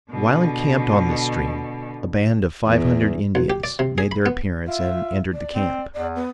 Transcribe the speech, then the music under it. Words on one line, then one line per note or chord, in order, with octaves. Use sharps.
While encamped on this stream, a band of five hundred Indians made their appearance and entered the camp.
B2 D3
E2
B1
G4
D5
C3
G#4
B5
B3
F4 E5
D5
C4
E2 D5
B3